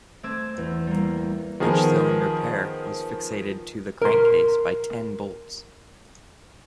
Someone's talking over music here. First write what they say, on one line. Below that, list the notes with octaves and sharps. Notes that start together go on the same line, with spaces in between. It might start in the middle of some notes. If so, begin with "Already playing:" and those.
Each cylinder pair was fixated to the crankcase by ten bolts.
A3 C4 D6 E6 G#6
E2
G3 A#3
D#3 F3 B3 G#4 A#4
A#4 C6